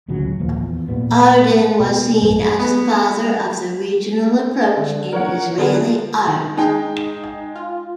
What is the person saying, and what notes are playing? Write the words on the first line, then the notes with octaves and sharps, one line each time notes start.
Ardon was seen as the father of the regional approach in Israeli art.
D1 C#2 F#3 C#4
D#2 A#2 F3 A#3
E2
A#2 G3 B3
B2
A#1 F#2 G3 B3
B3
D3
A#4 C#5 F#5
D3 B3 G#4 A#4
F3
D#3
G#3 D#4 G5
F4